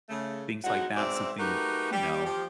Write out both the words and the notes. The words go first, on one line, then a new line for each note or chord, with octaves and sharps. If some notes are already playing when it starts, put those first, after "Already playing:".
things like that something, you know,
C#3 A3
F2 F#3 G#3 D#4 F#4
G#2 B2 C4 D5 E5
A3 D#4 F#4 G4 A#4 B4
G3 G4
F3 G4